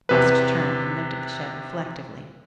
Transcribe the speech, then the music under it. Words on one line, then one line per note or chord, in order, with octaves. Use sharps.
West turned and looked at the shed reflectively.
E2 C3 B4